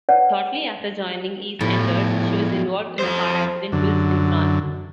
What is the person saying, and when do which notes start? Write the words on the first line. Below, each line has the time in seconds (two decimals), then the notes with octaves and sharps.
Shortly after joining EastEnders she was involved in a car accident whilst in France.
0.09 B4 C#5 D5 F#5 A5
1.61 A2 F3 B3 G4
2.99 F2 C5
3.72 F#2 D3